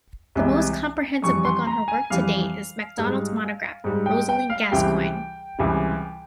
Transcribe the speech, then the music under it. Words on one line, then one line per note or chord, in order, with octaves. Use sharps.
The most comprehensive book on her work to date is MacDonald's monograph "Rosalie Gascoigne".
C2 C3 E3 G#3
F2 E3 G3 C#6
C6
A#5
G#5
F2 E3 G3 F5
G#2 G3
G#2 G3
G5
G5
F5
C#2 C3 E3 G3 G5
C#2 C3 E3 G3